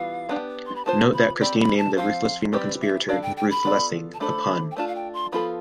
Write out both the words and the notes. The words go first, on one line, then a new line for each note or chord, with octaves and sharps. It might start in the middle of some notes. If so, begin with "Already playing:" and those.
Note that Christie named the ruthless female conspirator "Ruth Lessing", a pun.
Already playing: E3 G3 B3 F4 F5
B3 D4 G4 D5
C6
B5
B3 F4 C5 A5
B5
C4 G4 D5 B5
B5
A5
F3 C4 F4 C5 F5
E3 G3 C4 G4 B4 D5
E5
G3 D4 A4 D5 F5
G5
G5
B5
B3 F4 A4 D5
A5
A3 D4 A4 C5 B5
G5
A3 D4 F4 A5
F5
G5
C6
F3 B3 F4 A4 B5